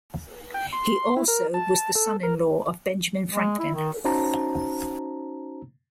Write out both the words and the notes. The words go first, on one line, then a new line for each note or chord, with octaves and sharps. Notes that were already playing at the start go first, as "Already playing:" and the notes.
He also was the son-in-law of Benjamin Franklin.
G5
C6
E4
A#4
A5
A4
A#4
G#3
E4
D#3
C#4 D#4 F#4 C5 A5 A#5